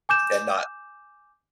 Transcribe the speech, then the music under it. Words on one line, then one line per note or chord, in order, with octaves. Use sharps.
and not
G#5 D6 G6 E7